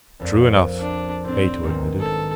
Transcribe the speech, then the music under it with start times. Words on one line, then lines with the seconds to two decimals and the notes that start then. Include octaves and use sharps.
"True enough," Ato admitted.
0.20 A#1 F2
0.80 D4
1.25 A2 C4 D4
1.63 B1 G#2 D#3
2.00 G#3 A4